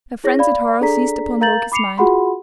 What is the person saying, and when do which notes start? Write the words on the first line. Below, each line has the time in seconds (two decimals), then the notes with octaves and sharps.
A frenzied horror seized upon Loki's mind.
0.24 E4 G#4 C#5 A#6
0.39 D5 F5 B5
0.81 D4 G#4 A4 D5 A#5 B6
1.41 A#4 F5 A#5 G6 A6 F#7
1.72 B5 D6 C7 C#7 F7
1.98 F4 F#4 G#4 F#5 B5 C6